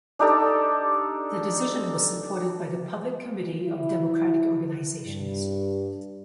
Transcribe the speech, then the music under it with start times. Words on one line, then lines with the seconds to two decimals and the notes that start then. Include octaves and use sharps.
The decision was supported by the Public Committee of Democratic Organisations.
0.19 D4 D#4 G4 A4
3.65 E4
5.06 G2